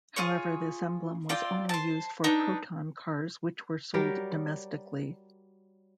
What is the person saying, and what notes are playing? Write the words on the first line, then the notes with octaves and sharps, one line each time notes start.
However, this emblem was only used for Proton cars which were sold domestically.
F4 G#4 C#5
C4 F4 D5 G5
C5 A5
D4 D#4 B4
F#3 G3 G4 A#4